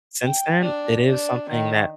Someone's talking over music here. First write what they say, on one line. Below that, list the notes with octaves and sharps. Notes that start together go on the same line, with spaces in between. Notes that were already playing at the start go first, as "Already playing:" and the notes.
since then, it is something that
G5
D4
D4
D#3